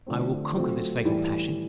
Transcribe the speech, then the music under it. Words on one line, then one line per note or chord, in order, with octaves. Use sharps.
I will conquer this fatal passion.
D3 F3 A3 C4
F#3 A3 C4 F4
A2 E3 G3